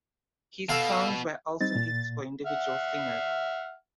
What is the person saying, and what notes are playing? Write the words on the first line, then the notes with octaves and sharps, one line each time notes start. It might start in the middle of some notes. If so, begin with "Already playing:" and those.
His songs were also hits for individual singers.
B2 A4 F5
G3 C4 D#4 A6
A#2
E5 F#5 F6